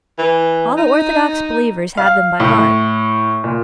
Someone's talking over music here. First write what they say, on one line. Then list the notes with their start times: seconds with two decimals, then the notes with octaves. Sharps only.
All the orthodox believers have them by heart.
0.19 E3
0.77 D#4
1.97 F5
2.40 A2
3.44 A#2